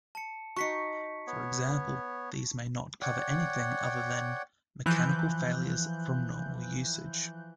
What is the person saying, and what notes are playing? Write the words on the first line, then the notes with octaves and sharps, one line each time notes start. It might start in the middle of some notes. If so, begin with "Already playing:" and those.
For example, these may not cover anything other than mechanical failure from normal usage.
A5 C#7
D#4 F#4 C#6 B6 C#7
B3 C#5
C#5 D5 F#5 G5
E3 F3 F#6 G6